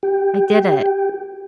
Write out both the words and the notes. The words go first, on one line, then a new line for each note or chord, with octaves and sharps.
I did it.
G4